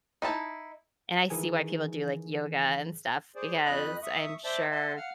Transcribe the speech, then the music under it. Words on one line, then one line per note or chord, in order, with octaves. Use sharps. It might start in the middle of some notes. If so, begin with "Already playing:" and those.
And I see why people do, like, yoga and stuff because I'm sure
D#4 E4 A5
D#3 E3 G#4 G#5
G#4 C5 D5
F2 D#5 B5 F#6
E5 C#6 D#6
C5 D5 E5 A5
E5 F#5 G#5 A5 C6
F5 F#5 F6